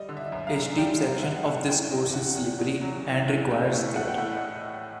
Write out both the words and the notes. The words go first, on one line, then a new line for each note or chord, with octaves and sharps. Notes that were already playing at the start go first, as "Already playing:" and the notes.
A steep section of this course is slippery and requires care.
Already playing: G3 D#5
D3
E5
F#2
F5
F#2
G3 G5
G3
F#2 F#5
D3
E2 G5
E2
E2 F#5
E2
E2
F#3
E2
E2
A3 G5
A2
A3 F#5
G5
A2 F#5
D#5